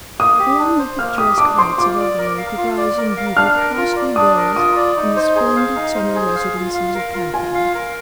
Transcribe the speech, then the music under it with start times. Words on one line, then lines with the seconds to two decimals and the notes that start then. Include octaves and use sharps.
Along the picturesque heights above the lake would rise in beauty the costly villas and the splendid summer residences of capital.
0.19 A#3 D#6
0.39 G4
0.58 D4
0.79 C5
0.99 A#3 F6
1.18 G4 D#6
1.38 D4 D6
1.58 C5 C6
1.78 F4 D6
1.98 D5
2.18 A#4
2.38 F5
2.57 F4
2.78 D5
2.97 A#4
3.17 F5
3.37 D4 F6
3.57 A#4
3.77 F4
3.96 D5
4.16 D4 D#6
4.37 A#4
4.56 F4 D#6
4.76 D5
4.97 D#4
5.16 C5
5.36 G#4
5.56 F5
5.76 D#4
5.95 C5
6.15 G#4
6.35 F5
6.56 F4
6.74 F5
6.95 A#4
7.14 F4
7.34 F4 G#5
7.55 F5
7.75 A#4